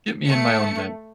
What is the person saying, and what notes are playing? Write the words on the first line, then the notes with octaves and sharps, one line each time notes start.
get me in my own bed."
A3 C#7